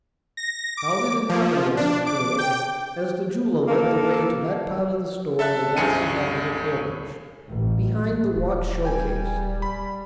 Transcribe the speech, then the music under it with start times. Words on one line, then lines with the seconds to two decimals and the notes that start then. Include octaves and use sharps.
"How did it happen?" asked the colonel, as the jeweler led the way to that part of the store where Darcy had the repair bench, behind the watch showcase.
0.37 A#6
0.77 D6
1.29 F3
1.77 D4
2.06 D6
2.38 G5
3.68 A#3 A4
5.39 A4 E5 A5 F#6
5.77 C#2 G2 C#3 G#5 C#7 D#7
7.53 A1
8.37 D#1
8.85 G3 G5 G#5
9.62 B5